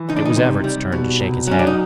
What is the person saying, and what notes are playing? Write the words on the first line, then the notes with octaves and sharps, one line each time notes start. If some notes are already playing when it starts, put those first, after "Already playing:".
It was Everts' turn to shake his head.
Already playing: E3
C#2 D#4
D4
D#4
C3
G3
B2
C2
F#3 C#4
D4
D#4